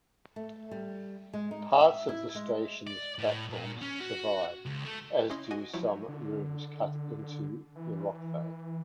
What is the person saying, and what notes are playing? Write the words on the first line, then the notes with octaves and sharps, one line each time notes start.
Parts of the station's platforms survive, as do some rooms cut into the rockface.
A3
G3
G#3
D#4
E5
E4
G#3
D5
A2
A#2
C#4
F#4
C#2
A3
C#4 E4 D#5 C6
F#4 D#5 G#5 D#6
F3 F#3 E4 C#5
D3
E3